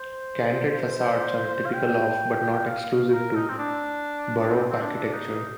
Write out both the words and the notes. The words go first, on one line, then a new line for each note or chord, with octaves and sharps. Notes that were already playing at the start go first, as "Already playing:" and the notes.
Canted facades are a typical of, but not exclusive to, Baroque architecture.
Already playing: C5
F5
G5
F5
A#4
D#4
C4
D4
C4
C4
D4
D4
D#4